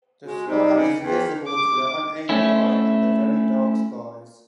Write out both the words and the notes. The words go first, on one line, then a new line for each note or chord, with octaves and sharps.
The star is visible to the unaided eye under very dark skies.
G#3 F#4
C3 D#4
C#3
E2 G5
D6
A3 C4 C#4 E4